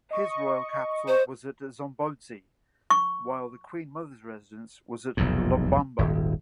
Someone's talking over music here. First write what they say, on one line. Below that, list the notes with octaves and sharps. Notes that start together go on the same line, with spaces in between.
His royal capital was at Zombodze while the Queen Mother's residence was at Lobamba.
D#5 C#6
C5
C#6
F1 B1 E2 G#2
D#1 G#1